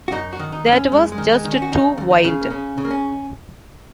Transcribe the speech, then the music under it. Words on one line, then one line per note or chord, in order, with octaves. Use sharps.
That was just too wild.
F#4
F#2 D#4
F#4
D#3
D#4
F#2
C#4
F#2 G#3
G#3
D#3
G#3
D#3
C#4
F#4
C#3 D#4
D#2
D#4
C#3
A#3
C#3 C#4
C#3
A#3
C#4